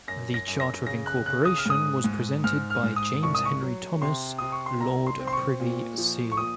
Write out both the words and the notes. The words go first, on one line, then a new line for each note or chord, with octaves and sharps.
The charter of incorporation was presented by James Henry Thomas, Lord Privy Seal.
F#2 A#6
A#6
F#2
A#6
C#3 A#6
F#6
C#3 F#6
D#6
F6
G#2 D#6
G#2
G#2 F6
F6
G#2
D#6
C2 C#6
D#6
C#6
F#3
C3 C6
C3 D#6
C#6
C6
C2 A#5
C6
C4
C6
C#6
A#2
F3
C#6
A#2 D#6